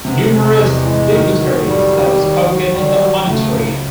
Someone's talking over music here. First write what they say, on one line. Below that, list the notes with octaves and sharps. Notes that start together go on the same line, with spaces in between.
Numerous dignitaries have spoken in the Auditorium.
C3 B3
C3
A3
E2 G#3
G3
E3 G#3
D#3
F#3
F2 G3
D#3
D#2
F#3
D#2 G3
F#3
C#2 A3
C#2